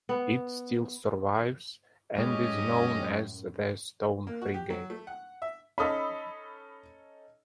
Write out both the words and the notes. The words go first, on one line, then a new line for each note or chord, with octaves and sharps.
It still survives, and is known as the Stone Frigate.
B3
F#2 A2 G#3 C#4 G4 C#5 D#5
A#3
F#4
G4
F#3
A3
F#5
E5
C#4 D#4 A4 B5 D#6 E6